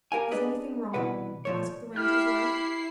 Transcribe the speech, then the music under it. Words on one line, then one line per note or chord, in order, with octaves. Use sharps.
"Is anything wrong?" asked the rancher's wife.
G4 A#4 F5 G#5
D4 G#4 B4 D#5
C2 B2 E3 B4 F#5
A#2 F3 C#5
E4 G4 B5 F6 C7